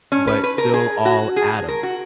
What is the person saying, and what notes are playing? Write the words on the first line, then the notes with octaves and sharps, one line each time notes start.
but still all atoms.
C#4
B4
B4
A#4
G#4
F#4
G#4
A#4
F#4